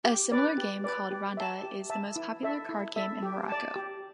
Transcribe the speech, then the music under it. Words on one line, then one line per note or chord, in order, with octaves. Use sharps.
A similar game called Ronda is the most popular card game in Morocco.
G4
B4 D5
G4
B4 D5
G4
E5 A5
G4
E5 A5
E4
A4 E5
E4
A4 E5
G4
D5 A5
G4